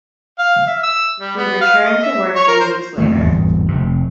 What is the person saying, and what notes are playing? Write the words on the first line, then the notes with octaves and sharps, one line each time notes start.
He returned to work three weeks later.
F5
E5
E6
G3
B3
F5
D#5
E5
C#5
A#4
C5
F2 D#3 A3
G1 E2 G#2
F1 C3